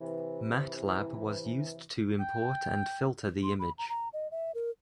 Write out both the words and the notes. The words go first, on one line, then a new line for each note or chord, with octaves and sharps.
Matlab was used to import and filter the image.
C3 E3
G5
C6
B5
A#5
A#5
D#5
E5
A#4